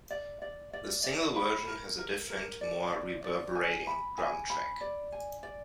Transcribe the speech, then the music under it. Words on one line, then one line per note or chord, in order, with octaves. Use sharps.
The single version has a different, more reverberating drum track.
D5
D5
D5
D5
B5
A#4
A#4
A#4
D5
D5
D5
G#5
B5
G#5
B5
D5
G#5
D5